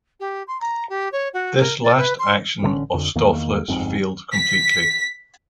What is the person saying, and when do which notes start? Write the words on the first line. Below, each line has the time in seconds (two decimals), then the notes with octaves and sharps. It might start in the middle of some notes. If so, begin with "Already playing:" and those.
This last action of Stofflet's failed completely.
0.20 G4
0.47 C6
0.60 A#5
0.89 G4
1.12 C#5
1.33 F#4
1.59 A#4
1.83 D5
1.97 B4
2.19 C6
2.62 A1 D3 G#3 C#4
2.93 F2 D3
3.15 E2 D#3 A#3
3.68 G1 F2 G#2 C4
4.33 B6